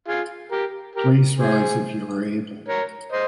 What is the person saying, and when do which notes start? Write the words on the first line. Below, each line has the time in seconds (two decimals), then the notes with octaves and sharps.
Please rise if you are able.
0.08 F4 G#4
0.51 G4 A#4
0.95 G4 A#4
1.38 G#4 C5
2.69 A#4 C#5
3.12 C5 D#5